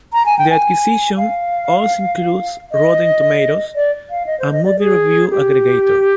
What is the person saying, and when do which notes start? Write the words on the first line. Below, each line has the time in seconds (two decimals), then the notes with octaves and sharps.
The acquisition also includes Rotten Tomatoes, a movie review aggregator.
0.13 A#5
0.26 G#5
0.38 G5
0.50 G#5
1.17 F5
2.72 D#5
3.76 D5
4.10 F5
4.26 D#5
4.40 C5
4.52 D#5
4.65 D5
4.79 G#4
5.30 G4